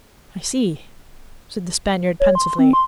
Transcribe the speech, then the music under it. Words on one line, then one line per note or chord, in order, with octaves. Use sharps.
"I see," said the Spaniard pensively.
C#5
C6
C4
C6